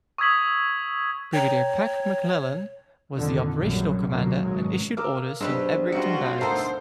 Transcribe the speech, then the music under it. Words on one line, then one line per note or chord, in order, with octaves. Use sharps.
Brigadier Pat MacLellan was the operational commander and issued orders from Ebrington Barracks.
C#6 D#6 E6 G#6 B6 F#7
C#5 G5 A#5
F2 A#2 D3 D#3
A#1 F#2 A#2 C#3 G3
C#2 F#2 A#2 D3 A#3
G#1 B2 F#3 G#3
A#4 F5 A#5 D6 E6
B1 D4 G4 G#4 B4 C5
C#2 G3 F4 F#4 C#7
D2 B2 D#4 A4 A#4 C5 E5 F#5